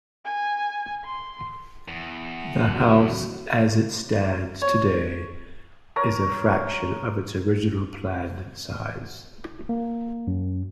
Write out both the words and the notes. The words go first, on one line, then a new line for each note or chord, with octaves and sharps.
The house as it stands today is a fraction of its original planned size.
G#5
C6
E2
F#1 D2 F#3 C4 F#4
C#5
A#4 C#5 A#5
A#3
F#2